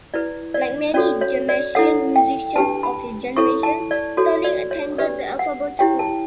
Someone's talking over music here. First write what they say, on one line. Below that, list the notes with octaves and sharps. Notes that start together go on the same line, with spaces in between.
Like many Jamaican musicians of his generation, Sterling attended the Alpha Boys School.
E4 B4 D5
D5
C#4 F#4 A4 C#5 D5
C#5
D5
E4 A4 C#5 F#5
G5
D4 G4 B4 A5
B5
E4 A4 C#5 C#6
A5
D5
F#4 A4 C#5
D5
C#5
D4 G4 B4 D5
F#5
E4 G4 C#5 G5
A5